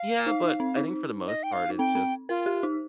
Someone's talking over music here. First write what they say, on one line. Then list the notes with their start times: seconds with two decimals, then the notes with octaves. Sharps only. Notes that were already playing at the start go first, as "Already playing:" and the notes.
Yeah, but I think for the most part, it's just
Already playing: F5
0.26 D#4
0.43 D#4
0.60 C4
0.77 D#4
1.27 D#5
1.43 G5
1.52 F5
1.70 D#4
1.78 C4 G5
1.95 C4
2.29 F4 A#4
2.46 G4
2.63 D#4